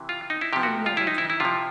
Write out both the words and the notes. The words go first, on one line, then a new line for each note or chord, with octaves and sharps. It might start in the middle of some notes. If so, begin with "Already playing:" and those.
I'm never dry.
Already playing: C3 E3
F4
D#4
E4
C3 F3 G4
F#4
F4
E4
D#4
E4
E4
C3 F3 F4